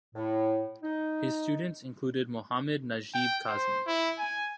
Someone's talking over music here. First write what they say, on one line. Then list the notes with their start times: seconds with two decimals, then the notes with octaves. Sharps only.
His students included Mohammad Najeeb Qasmi.
0.15 A2
0.83 D#4
3.14 G5
3.48 C5
3.87 E4
4.19 G#5